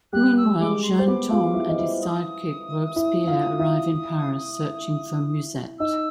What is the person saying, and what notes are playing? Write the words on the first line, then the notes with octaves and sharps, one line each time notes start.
Meanwhile, Jaune Tom and his sidekick Robespierre arrive in Paris, searching for Mewsette.
G3 G4 F#6
E6
G#3 G#4 D6
C6
C5
B3 B4 D6
F4 F5
E4 E5
D#5
E4 E5
D#6
E4 E5
F4 F5
E4 E5
D#4 D#5 E6